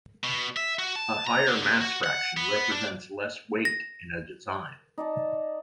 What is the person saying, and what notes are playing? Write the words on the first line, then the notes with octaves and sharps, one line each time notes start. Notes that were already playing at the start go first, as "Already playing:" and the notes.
A higher mass fraction represents less weight in a design.
B2
E5
F#4
A5
A#5
D3
C3
F#4
F#5
B3
D4
A#6
D#4 D5 A5